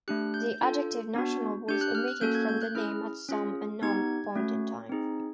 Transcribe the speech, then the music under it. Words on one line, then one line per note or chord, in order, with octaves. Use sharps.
The adjective "National" was omitted from the name at some unknown point in time.
A3 D4 G4 F#6
G6
D4 F4 A4
B3 D4 F#4
D4 G4 G6
F#6
F6
F#6
A#3 C#4 F#4 A4 G6
G#6
G6
F#6
C#4 E4 G#4 F6
C#4 F4 G#4
B3 D#4 G4 G#6
A3 C#4 F#4
C4 D#4 G#4